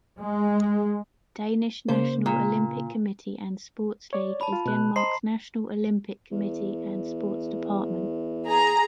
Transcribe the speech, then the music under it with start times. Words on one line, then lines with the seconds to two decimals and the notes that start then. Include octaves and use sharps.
Danish National Olympic Committee and Sports League is Denmark’s National Olympic Committee and sports department.
0.20 G#3
1.88 C#3 A#3 C5
2.26 A#2
4.13 C#5 D5
4.41 A5 B5
4.53 F4
4.66 B2 F#6
4.96 C5 D#5 A#5 C6 C7
6.32 E2
8.47 G#4 A#5